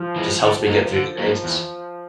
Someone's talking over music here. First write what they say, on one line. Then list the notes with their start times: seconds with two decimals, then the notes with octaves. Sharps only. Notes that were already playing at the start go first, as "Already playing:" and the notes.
just helps me get through the days.
Already playing: F3
0.16 E3 G#3
0.42 D3 F3
0.67 F#3 A#3 D#4
0.93 D3
1.18 F#3 A#3 D#4
1.44 E2